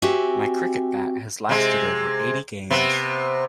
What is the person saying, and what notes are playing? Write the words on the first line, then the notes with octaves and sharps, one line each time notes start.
My cricket bat has lasted over eighty games.
C4 F#4 G4 E5 G#5
C3 G#3
C3 B3